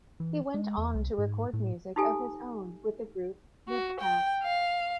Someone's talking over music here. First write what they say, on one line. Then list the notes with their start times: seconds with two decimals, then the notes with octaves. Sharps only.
He went on to record music of his own with the group Lootpack.
0.20 E3
0.54 G#3
0.78 E2
0.95 C2
1.18 G#2
1.53 A2
1.96 D#4 F4 G4 A4 G#5
3.68 F#4
4.00 G5
4.42 F5